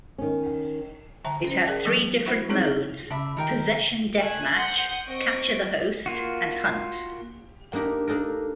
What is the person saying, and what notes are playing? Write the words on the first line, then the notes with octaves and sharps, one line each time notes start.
It has three different modes: Possession Deathmatch, Capture the Host and Hunt.
D#3 C#4
D3 E5 G5 A5 A#5
C#4 C5
G#4 A#4 D5 F#5 G5 A5
E3 F#3 B3 C#6
E4 F#4 C5 E5 F#5 B5
C4 D#4 E4 G#4 C#5
C#3 D5 E5 A5 B5
D#3 D#4 A#4 G5
A3 E5 G#5 F#6
F#5 C6 D#6 G6
C4 D#5 C#6 D7
A#3 F4 F#4
A#3 D4 D#4 G4 A#4
A#3 D4 D#4 A4 A#4